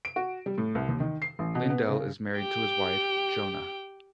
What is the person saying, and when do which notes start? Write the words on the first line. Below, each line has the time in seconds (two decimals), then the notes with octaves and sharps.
Lindell is married to his wife Johna.
0.05 D7
0.16 F#4
0.46 G3
0.58 A2
0.75 C2
0.88 D#2
1.00 D#3
1.22 C7
1.39 A1
1.55 B2
1.70 B3
1.88 C#3
2.37 G4 G5